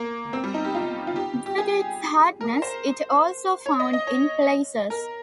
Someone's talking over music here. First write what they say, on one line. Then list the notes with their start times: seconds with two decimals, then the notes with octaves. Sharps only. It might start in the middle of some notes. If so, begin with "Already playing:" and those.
Due to its hardness it also is found in placers.
Already playing: A#3
0.33 C4
0.44 G3
0.54 D#4
0.64 G4
0.75 F4
1.07 F4
1.16 G4
1.46 G4
1.58 G#4
2.41 A#4
2.62 C5
3.66 C#5
3.80 D#5
3.93 D#5
4.07 C#5
4.90 A#4